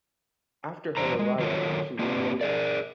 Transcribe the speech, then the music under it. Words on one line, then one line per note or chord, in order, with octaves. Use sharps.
After her arrival she was laid up.
E2 D4 C5 A#5
G#3
D#3 F#3 F4 A4 A#4 C#5
A#3 C4 D4 F4 G4 B4
G#4 A#4 D5